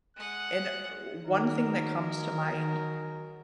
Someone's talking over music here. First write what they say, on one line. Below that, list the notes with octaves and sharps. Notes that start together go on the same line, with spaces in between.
and one thing that comes to mind
G#3 F#5 F#6
D#3 F#3 D#4 G#4 A#4